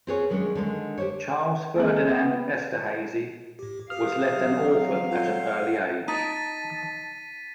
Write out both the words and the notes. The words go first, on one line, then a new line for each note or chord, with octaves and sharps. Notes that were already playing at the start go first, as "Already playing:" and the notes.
Charles Ferdinand Esterhazy was left an orphan at an early age.
C4 F4 G#4 B4 C#5
D#3 F#3 G#3 A#3 C#4 D4
D3 D#3 G#3
G4 C5 C#5
G#3 A#3 C4 G#4
B3 G5
A2 G4
G4 B4 F5 D#6 F6
F#3 C4
F4 A4 C#5 F#5 G6
D#4 A5 A6 B6 D#7